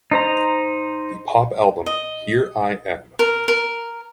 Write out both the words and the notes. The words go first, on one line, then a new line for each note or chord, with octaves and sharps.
The pop album Here I Am...
D#4 C5 A#5
D#5
A#4
A#4